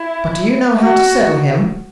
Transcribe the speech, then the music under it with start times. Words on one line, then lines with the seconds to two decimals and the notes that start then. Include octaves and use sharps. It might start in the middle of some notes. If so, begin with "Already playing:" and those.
'But do you know how to settle him?
Already playing: E4
0.81 F#4